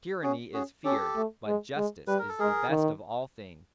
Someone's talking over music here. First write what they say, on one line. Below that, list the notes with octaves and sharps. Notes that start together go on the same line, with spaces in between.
Tyranny is feared: but justice is the best of all things.
C#4 F#4 G#4
C#4 F#4 G#4
C#4 G4 A4
A3
G#3
G#3
G3 B4
A#4
A4
G#3 G#4 A#4
D#3